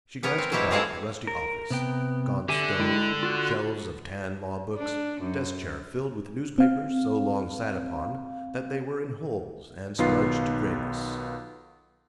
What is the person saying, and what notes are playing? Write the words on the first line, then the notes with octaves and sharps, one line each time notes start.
She glanced about the rusty office--gaunt stove, shelves of tan law-books, desk-chair filled with newspapers so long sat upon that they were in holes and smudged to grayness.
B3 C#4 A#4
C4
B2 F#3 C4 E4 G4 C#5
F#3 G#3 A#3 C4 G#4 A4
A#4
C3 B3 G5
D3 G4 E5 G#5
G#3 E4 G5
F4 F#4
D4
F#2
C4 F5
B1 D#3 B3 F4 C7